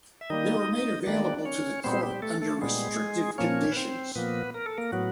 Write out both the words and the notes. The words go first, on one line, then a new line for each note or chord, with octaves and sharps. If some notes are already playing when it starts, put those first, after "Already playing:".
They were made available to the court under restrictive conditions.
E5
D#3 G3 A#3 D#4 D#5
D#3 G3 A#3 D4 D5
D5
C#4 C#5
A#2 G3 B3 C4 C5
G3 G4
A3 A4
A3 A4
A#2 G3 G#3 B3 G#4
A#2 F3 A#3 C#4 C#5
B4
C4 C5
A#2 F3 A#3 B3 B4
A#4
A4
A#3 A#4
A2 F#3 B3 F#4